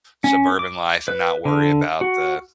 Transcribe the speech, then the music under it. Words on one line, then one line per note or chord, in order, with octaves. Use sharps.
suburban life and not worry about the
C#4
D6
B4
D3
F#4